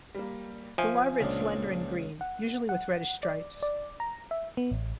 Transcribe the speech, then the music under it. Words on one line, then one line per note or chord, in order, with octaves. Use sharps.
The larva is slender and green, usually with reddish stripes.
G3 A#3
F3 E5 G#5
C#2 A#2 D4
F#5
F#5
D5
D5
A#5
E5
B3
A1